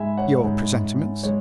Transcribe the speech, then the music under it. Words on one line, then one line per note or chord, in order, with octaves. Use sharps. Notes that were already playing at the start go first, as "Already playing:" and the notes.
"Your presentiments?"
Already playing: G#2 G#3 E5 G#5 B5
C#5 F#5
G#2 G#3
G#3 C#5